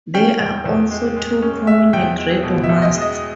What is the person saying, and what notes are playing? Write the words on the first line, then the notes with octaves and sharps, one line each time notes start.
There are also two prominent radio masts.
C#4 G5
E2
E2
G#3
G#3
C#4
G#3 E5
E2 G5
G#3
B2
E5
E2
D#5
G#3
D#5